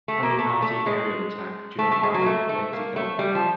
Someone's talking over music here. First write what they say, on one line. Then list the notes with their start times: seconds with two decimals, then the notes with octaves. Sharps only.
Kamikaze aerial attack during Battle of Leyte Gulf.
0.08 A3
0.23 A#3
0.38 A3
0.62 A3
0.86 G#3
1.79 A3
1.91 A3
2.03 G#3
2.14 F#3
2.22 A#3
2.26 A3
2.49 A3
2.73 A#3
2.96 A3
3.19 G3
3.35 F3